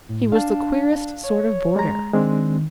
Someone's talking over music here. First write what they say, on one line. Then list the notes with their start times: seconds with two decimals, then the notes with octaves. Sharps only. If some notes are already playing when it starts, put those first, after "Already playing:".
He was the queerest sort of boarder!
0.09 A2
0.32 D4 F5 A5
1.24 C#5
1.76 G#3 A#5
2.13 D#3 G#3 C4 D4